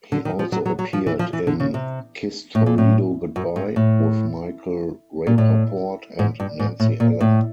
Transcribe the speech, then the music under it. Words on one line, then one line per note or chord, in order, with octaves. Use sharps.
He also appeared in "Kiss Toledo Goodbye" with Michael Rapaport and Nancy Allen.
D3
D#3
F3
F#3
F#3
F#3
F3
E3
F3
E3
D3
C#3
C3
A2
A#2
A2
F#2
G2
A2
A#2
A2
G#2
G2
G#2
A2
A#2
A2